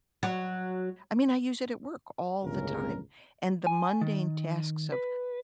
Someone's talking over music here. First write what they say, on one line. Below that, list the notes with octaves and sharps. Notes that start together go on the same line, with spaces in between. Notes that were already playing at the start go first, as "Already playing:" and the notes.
I mean, I use it at work all the time, and the mundane tasks of
F#3
G1 C#2 A2 C#3 A#4
G#5
D#3
B4